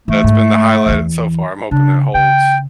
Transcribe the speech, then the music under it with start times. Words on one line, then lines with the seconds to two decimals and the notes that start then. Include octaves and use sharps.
that's been the highlight so far. I'm hoping that holds.
0.08 E3 A3
0.24 G#2
0.86 E2 E3
1.71 C#3 D4
2.14 C#3 G5